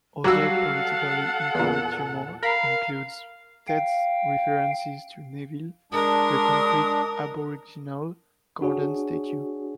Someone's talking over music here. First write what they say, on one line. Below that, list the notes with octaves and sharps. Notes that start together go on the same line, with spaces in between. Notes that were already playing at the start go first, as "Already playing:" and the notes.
Other politically incorrect humour includes Ted's references to Neville, the concrete Aboriginal garden statue.
F#3 G3 F#4 A4 F5 F#5 E6
E2 A#2
A#4 F5 B5
F5 G5
G#3 D4 A#4 D#6
D4 F#4 G#4 C#5